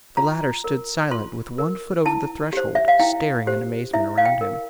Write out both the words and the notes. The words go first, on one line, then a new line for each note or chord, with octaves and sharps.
The latter stood silent with one foot over the threshold, staring in amazement around him.
F4 A#5
A#4
F4 C6
A#4
E4 A5
G4 C5
E5
F5
E4 G5
G4 C5
E4 E5
F5
G5
A#4